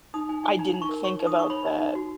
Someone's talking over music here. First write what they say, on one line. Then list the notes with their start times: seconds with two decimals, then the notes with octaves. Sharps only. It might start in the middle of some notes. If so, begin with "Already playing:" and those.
I didn't think about that.
0.14 D#4 D#6
0.29 D#4 G#5
0.43 D#4 G#5
0.59 D#4 A#5
0.74 D#4
0.82 C#6
0.89 A#4
1.04 C#5 C#6
1.19 D#4
1.27 D#6
1.35 D#4 C#6
1.50 C#5 B5
1.65 D#4
1.80 D#4
1.95 F#4